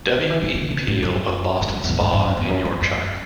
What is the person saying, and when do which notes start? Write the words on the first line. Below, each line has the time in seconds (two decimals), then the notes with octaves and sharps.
W. E. Peel of Boston Spa in Yorkshire.
0.18 D3
0.30 E3
0.43 D3
0.55 D3
0.71 C3
0.87 A2
1.03 F#2
1.27 F#2
1.68 F#2
1.84 E2
2.00 G2
2.13 G2
2.25 F#2
2.37 E2
2.49 F#2
2.65 F#2
2.81 F#2
2.98 F#2